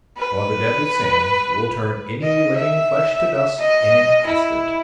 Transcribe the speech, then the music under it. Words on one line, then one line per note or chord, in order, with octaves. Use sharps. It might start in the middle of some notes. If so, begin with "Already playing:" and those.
For the Deadly Sands will Turn Any Living Flesh to Dust in an instant.
B4
D#5
E5
D#5
E4